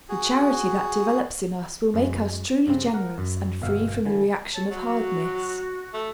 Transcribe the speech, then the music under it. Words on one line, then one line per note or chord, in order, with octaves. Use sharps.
The charity that develops in us will make us truly generous and free from the reaction of hardness.
F#4 G#4
F#2 G#3
G2 C#3 C4
A#4 F#5
F#2
G1 B2 E5 F5
D3 E3 G#5
C#5 A5
F#3 F#4
A3